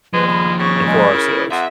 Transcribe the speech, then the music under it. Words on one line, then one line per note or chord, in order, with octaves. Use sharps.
and for ourselves.
D#2 F3 G#3 B4
B5
C#3 C#6
G#3
E4 A#4
F2 E5 F#5